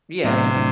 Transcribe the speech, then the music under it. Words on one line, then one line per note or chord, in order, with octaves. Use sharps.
Yeah, yeah.
A2 C3 F#3 B3 D4
A2 F#3 D4